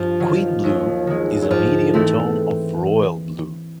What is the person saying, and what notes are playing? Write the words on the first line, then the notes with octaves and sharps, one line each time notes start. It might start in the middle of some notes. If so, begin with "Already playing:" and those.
Queen blue is a medium tone of royal blue.
Already playing: G2 F3
D#3 F#3
D#2
D#3 G#3
F#3
G#2 F3
E3 G#3 A3 C4 E4